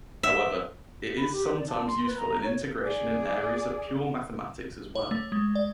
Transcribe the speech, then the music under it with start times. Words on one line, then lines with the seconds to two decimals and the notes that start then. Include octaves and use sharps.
However, it is sometimes useful in integration in areas of pure mathematics as well.
0.23 E5
1.17 B5
1.31 G4
1.56 D5
1.69 A5
1.85 C6
2.05 B4
2.18 A#5
2.42 C#5
2.85 G#4 D5
4.95 C#5
5.11 A3
5.32 G#3
5.55 D5